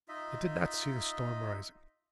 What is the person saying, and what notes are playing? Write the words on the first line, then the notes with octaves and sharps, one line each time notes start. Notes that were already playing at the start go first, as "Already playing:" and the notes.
They did not see the storm rising.
D#4 F4 D#5 E5